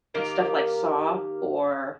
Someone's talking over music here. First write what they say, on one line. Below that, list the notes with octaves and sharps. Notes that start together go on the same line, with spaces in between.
it's stuff like Saw or
D#3 A#3 G4 A#4